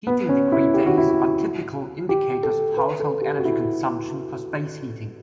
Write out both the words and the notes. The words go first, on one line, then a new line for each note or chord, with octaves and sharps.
Heating degree days are typical indicators of household energy consumption for space heating.
B3
C#4
E4
G4
F#4
E4
F#4
G4
A4
B4
A4
G4
F#4
E4